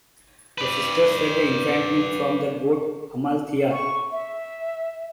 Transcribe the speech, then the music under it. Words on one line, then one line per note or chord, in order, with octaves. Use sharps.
The sisters fed the infant milk from the goat Amaltheia.
B4 D5
C#6
E5